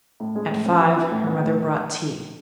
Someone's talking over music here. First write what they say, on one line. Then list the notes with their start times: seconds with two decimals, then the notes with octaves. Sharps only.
At five her mother brought tea.
0.20 A2
0.35 G#3
0.51 A2
0.66 C#4
0.81 F#4
0.96 E3
1.11 A2
1.27 B3
1.42 A2